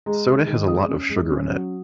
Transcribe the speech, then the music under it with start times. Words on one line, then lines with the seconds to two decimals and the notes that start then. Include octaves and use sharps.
Soda has a lot of sugar in it.
0.06 G#3 A#5
0.27 G#3
0.47 D#3
0.68 G#3 D#6
0.88 C#4
1.09 G#3
1.30 C#4
1.51 F#3